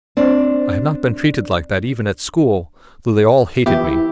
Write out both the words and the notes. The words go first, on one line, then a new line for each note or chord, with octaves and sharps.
I had not been treated like that even at school, though they all hated me.
C4 D4
E3 F3 B3 G4 E5 D6
E4